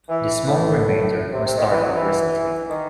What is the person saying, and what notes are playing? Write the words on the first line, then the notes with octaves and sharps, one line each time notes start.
The small remainder were started recently.
E3
A2
C3
C3
D#3
E3
F#3
E3
D#3